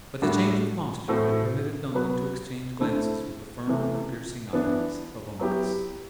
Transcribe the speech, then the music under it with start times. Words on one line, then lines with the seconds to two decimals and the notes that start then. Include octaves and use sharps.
But the change of posture had permitted Duncan to exchange glances with the firm and piercing eyes of Uncas.
0.22 A2 G3 D4 F#4
1.08 A2 E3 A3 C4 F#4
1.94 F#3 B3 F#4 B4
2.80 D3 A3 C4 E4
3.67 C3 E3 A3
4.53 E3 B3 D4
5.39 F#3 B3 E4 G4